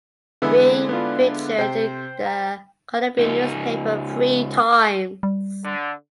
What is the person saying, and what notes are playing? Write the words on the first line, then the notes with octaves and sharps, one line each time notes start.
Being featured In the Colombian newspaper three times.
D3 E3 G#3 B3 E4 E6
B3 D4 F4
C3 C5 G5
A#5
C#2 D#4
G3
D3